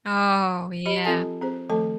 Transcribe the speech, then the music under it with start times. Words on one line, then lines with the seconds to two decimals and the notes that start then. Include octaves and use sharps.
Oh, yeah.
0.86 G4 D#5 B5
1.04 F3 C4 F4 A4 G#5 A5
1.41 C4 G#4 C5
1.69 D#3 F3 A3 A4 A5